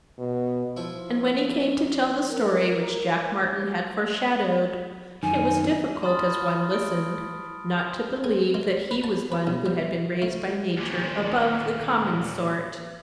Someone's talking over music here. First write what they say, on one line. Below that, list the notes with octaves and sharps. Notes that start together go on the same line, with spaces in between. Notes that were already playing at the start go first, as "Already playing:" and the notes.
And when he came to tell the story which Jack Martyn had foreshadowed, it was difficult, as one listened, not to believe that he was one who had been raised by nature above the common sort.
B2
F3 E4
A#4
F#2 D#3 G#5
A5 B5 C6 D#6 F6 A6
D7
G#4
G#3
B4
A5
B4
B1
G3
A3
D#2 A#2